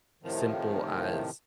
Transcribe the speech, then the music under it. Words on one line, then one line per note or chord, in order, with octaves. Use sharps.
simple as
A2 C3 D#3 F3